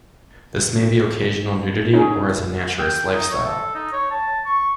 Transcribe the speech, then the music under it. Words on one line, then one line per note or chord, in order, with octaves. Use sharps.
This may be occasional nudity or as a naturist lifestyle.
C#4 D#4 G#4
G5
D#4
C#5
A4
D#4
C#5
A5
C#6